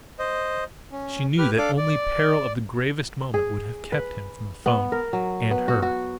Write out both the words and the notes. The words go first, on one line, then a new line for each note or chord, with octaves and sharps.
She knew that only peril of the gravest moment would have kept him from the 'phone--and her.
C5 D#5
C#4
G4 B4 F6
D4 A4 D5 F5 D6
D5
G#4
B4
B3
A#4
F#3
B3
F#4
F#4